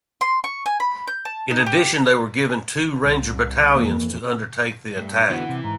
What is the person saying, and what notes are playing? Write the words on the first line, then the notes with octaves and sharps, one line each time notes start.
In addition they were given two Ranger battalions to undertake the attack.
C6
C#6
G#5
B5
G6
A5
D#4
G4
C2
F2 E3 A#3
G2 A3
D#4
D3 E3 B3 F#4 F#5
C3
G#2 A#5